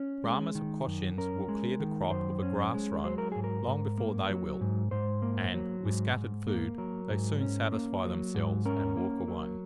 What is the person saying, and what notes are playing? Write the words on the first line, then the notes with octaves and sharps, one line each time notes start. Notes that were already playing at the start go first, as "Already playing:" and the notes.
Brahmas or Cochins will clear the crop of a grass-run long before they will, and, with scattered food, they soon satisfy themselves and walk away.
Already playing: C#4
G#3
D#3
F#2
C#4 A#4
G#3
D#3
F#2 C5
C#4
G#3
F#3 C5
A#4
G#2 G#4
A#4
G#2
A#3
F#3
G#2
G#2 C5
A#3
F#3
G#2
G#2
A#3
F#3 A#4
G#2
C#4
A#3
F#3
G#2
C#4 A#4
A#3
F#3